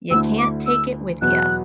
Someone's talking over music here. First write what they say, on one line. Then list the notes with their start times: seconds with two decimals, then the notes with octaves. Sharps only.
"You can't take it with ya.
0.11 D2 D3 A3 E4 E6
0.39 D6
0.67 E6
1.22 E2 B2 F#3 B3 F#6